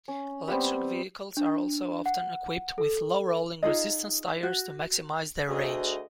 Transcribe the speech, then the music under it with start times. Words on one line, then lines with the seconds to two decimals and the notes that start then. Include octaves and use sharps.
Electric vehicles are also often equipped with low-rolling resistance tires to maximize their range.
0.08 C#4
0.48 G3 B3 C4
1.37 D4
2.06 F#5
2.78 A4
3.63 D#4 F4 G#4 D#5
4.43 F#4
5.49 D2 G#4 D#5